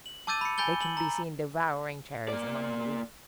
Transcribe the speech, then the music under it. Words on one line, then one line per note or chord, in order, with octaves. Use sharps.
They can be seen devouring cherries among the wheat.
F#7
A5 D6 E6 G6 A6 D#7
B5 C#7
G#5 B5 G6 A6 G7
F#7
A#5
A#3 D5